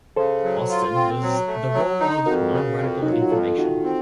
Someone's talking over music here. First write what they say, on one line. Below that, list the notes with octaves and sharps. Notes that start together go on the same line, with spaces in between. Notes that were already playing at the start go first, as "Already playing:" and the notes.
Austin was the role of 'non-radical information'.
C#3 A4 C5
F#3
F4
C4
F#3
A3
F#3
D#4
F2 F#4 A#4
C#3
F2
F#3 D#4
F4
F#4
F2 F4 A4
D#3 D#4 F#4
C4